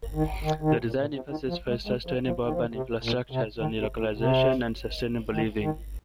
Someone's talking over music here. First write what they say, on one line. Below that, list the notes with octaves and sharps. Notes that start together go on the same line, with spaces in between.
The design emphasis for a sustainable urban infrastructure is on localization and sustainable living.
D#3
D#3
D#3
C3
A#2
A#2
C3
D#3
F3
G#3
G#3
F3
F3
D#3
F3
D#3
C3
A#2
C3
D#3
C3
A#2
C3
D#3
D#3